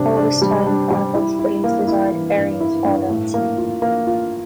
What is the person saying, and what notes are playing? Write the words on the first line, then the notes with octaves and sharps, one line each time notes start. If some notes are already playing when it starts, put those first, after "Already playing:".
"All This Time" chronicles Billy's desire to bury his father at sea.
Already playing: C3 G3 D4
D4
G3
D4
G3
E4
E4
A#3
E4
E3
G2
E4
G2
A2
A#3
F4
A#3
F4